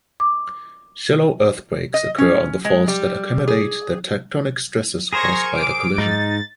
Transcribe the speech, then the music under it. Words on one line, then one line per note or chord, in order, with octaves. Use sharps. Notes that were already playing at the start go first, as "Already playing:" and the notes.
Shallow earthquakes occur on faults that accommodate the tectonic stresses caused by the collision.
D6
D#5
C#4
G#3
G3
G#4
G#4 A#4 C5 C#6 G#6 A#6
D6 D7
G#2 D#4 A6